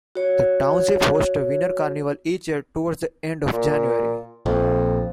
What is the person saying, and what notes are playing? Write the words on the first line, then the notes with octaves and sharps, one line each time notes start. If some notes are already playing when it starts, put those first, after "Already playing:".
The Township hosts a Winter Carnival each year toward the end of January.
F#4 C#5
A#2
A#1 F2